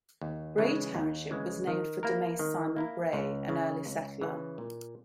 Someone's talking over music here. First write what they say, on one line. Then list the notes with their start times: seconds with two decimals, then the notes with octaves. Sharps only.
Bray Township was named for Damase Simon Bray, an early settler.
0.21 D#2
0.58 C#3 E3 G#3
0.95 D#2
1.31 C#3 E3 G#3
1.67 D#3
2.03 A#3 E4 A#4
2.39 D#3
2.77 A#3 E4 A#4
3.13 C#2
3.49 C#3 E3
3.86 C#2
4.21 C#3 E3
4.58 A#2